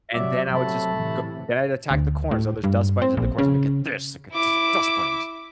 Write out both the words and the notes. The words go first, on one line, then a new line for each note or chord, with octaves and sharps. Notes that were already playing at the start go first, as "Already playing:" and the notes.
And then I would just go then I'd attack the corners, so there's dust bunnies in the corners. "I'm gonna get this! I get these dust bunnies!"
C3 F#3 D5 E5
C3 F#3 A3 A5 B5
A2 C3 E3
D2
A2
G2
C4
A#1
C#3
E4 D6